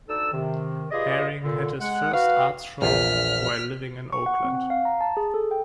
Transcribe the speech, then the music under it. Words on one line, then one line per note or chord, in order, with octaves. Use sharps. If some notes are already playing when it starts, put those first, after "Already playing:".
Haring had his first art show while living in Oakland.
D2 D#4 A4 D5 E6
C3 D#3
F4 G4 G#4 B4 D5 D#5
A#2 D3
G#3 F#5
F#4 B4 F5
A#1 E2 F4 F6 B6
C#6
F#5
C4
F#5
F5
A#5
A5
G#4
A4
G5